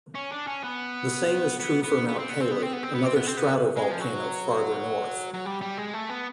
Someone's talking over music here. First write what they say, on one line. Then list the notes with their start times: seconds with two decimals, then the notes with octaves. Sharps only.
The same is true for Mount Cayley, another stratovolcano farther north.
0.15 C#4
0.32 D4
0.47 C#4
0.64 B3
1.60 B3
1.83 B3
2.08 B3
2.19 C4
2.29 B3
2.41 C4
2.51 B3
2.62 C4
2.73 B3
2.83 C4
2.94 B3
3.05 C4
3.16 B3
3.27 C4
3.37 B3
3.77 G#3
3.91 F3
4.01 F#3
5.34 F#3
5.46 G3
5.61 G3
5.77 G#3
5.94 A3
6.09 B3